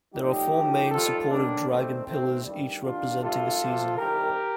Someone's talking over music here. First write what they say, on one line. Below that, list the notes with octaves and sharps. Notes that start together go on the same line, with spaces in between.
There are four main supportive, dragon pillars each representing a season.
A#1 A2 G3 D#4 G4
D2 D3 F3
F2 D#3 G3 F4 A4
D#2 D3 G3 A#3 D4
G2 D#3 G3 A3 C4
G2 D#3 G3 A3 C4
A1 G2 D#3 G3
A1 G2 D#3 G3 D4 F4
D2 C3 D#3 G3 F4 A4
C2 C3 F3
C2 C3 D#3 G3 G4 A#4